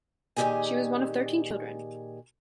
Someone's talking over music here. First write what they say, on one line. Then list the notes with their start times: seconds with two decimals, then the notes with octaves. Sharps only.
She was one of thirteen children.
0.36 A#2 D#3 G3 G4 G#4 G#5